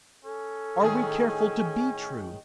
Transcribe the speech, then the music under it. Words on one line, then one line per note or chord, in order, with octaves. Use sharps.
Are we careful to be true?
C#4 A4
A2 D#3 G#4 G#5